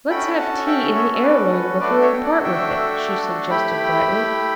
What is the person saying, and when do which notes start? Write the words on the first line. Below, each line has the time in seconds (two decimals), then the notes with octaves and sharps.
"Let's have tea in the heirloom before we part with it," she suggested brightly.
0.09 C#4 F#4 A4 G5 B5
0.38 F#5 A5
0.67 E5 G5
0.95 C#5 E5
1.14 E5
1.23 B4 D5
1.51 B4
1.80 A3 D4 F#4 A4 B4 D5
2.01 C#5 E5
2.12 G5
2.23 D5 F#5
2.44 E5 G5
3.50 A3 E4 G4 G5 B5